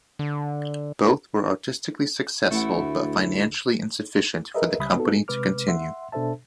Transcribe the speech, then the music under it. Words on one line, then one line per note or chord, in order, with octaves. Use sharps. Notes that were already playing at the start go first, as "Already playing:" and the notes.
Both were artistically successful but financially insufficient for the company to continue.
D3
A1 A3 E4 F#5
D2
G#4 A#4 B4 D#5 E5
C#2 C#3 G3 E5 B5 D#6
B3 C4 D#4 F#4 A4
C3 G#3 B4 D6 F6
E5 F#5 C6
B2 D4 A4 C5 E5 A5